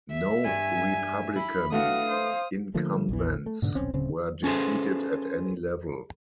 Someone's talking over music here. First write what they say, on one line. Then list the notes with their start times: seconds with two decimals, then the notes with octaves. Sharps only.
No Republican incumbents were defeated at any level.
0.11 E5
0.44 G2 G3 G#5
1.36 E4 B5
1.72 A3 B3 D4 F#4 F5 D#6
2.10 C5
2.75 D3 F3 A3 A#3
3.09 A#1 E2 E3
3.46 A3
3.62 G#2 B2 D3
3.75 D#1 B1 C4 C#4
3.93 D1 C#3 C4
4.44 C#4 G#4 A4 B4 C5